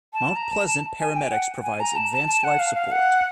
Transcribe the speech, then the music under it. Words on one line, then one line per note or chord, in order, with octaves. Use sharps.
Mount Pleasant Paramedics provides advanced life support.
A5
A#5
A5
A5
G#5
G5
F#5
G#5
A#5
A5
A5
A5
F#5
F5
F5
F#5